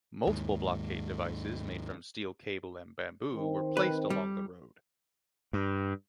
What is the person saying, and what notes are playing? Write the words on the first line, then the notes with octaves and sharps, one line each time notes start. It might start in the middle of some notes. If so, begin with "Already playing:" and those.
Multiple blockade devices made from steel cable and bamboo were placed along the road.
D#2 G#2
D#3 C4
B4
G3
G2